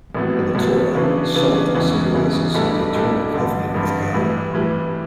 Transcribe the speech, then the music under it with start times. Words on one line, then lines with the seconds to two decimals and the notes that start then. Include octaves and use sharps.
In the Torah, salt symbolizes the eternal covenant with God.
0.15 A1 A2 F#3 B3
0.55 A1 A2 F#3 B3
0.95 C#3 E3 B3 D4
1.34 C#3 E3 B3 D4
1.74 E1 E2 C#3 E3
2.14 E1 E2 C#3 E3
2.55 B1 A2 G3 D4 A4
2.94 B1 A2 G3 D4 A4
3.34 A1 G2 D3
3.74 A1 G2 D3
4.14 A2 E3 G3
4.54 A2 E3 G3